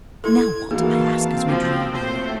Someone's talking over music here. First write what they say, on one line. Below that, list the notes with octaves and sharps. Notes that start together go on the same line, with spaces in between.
"Now what?" I asked, as we drew away.
E4 A4 G#6
E3 A#3 D#4 F#4 G#4 F5 A5
C4
F3
A2 A3 C5